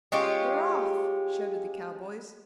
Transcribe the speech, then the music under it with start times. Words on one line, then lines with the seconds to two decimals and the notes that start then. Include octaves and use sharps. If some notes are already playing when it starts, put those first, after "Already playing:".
"They're off!" shouted the cowboys.
0.12 G#3 C#4 F4 G4